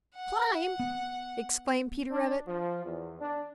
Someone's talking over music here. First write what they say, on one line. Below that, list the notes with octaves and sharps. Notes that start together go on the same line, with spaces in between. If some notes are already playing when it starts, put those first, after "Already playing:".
"Climb!" exclaimed Peter Rabbit.
F#5
B3
D4
F3
E2
D4